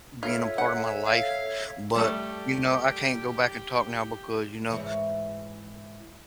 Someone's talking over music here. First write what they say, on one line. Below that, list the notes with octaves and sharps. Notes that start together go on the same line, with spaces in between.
being a part of my life. But, you know, I can't go back and talk now because, you know,
F4 A4 C#5 E5
F#5
F5
G3 A3 G4
G#2 E3 C#5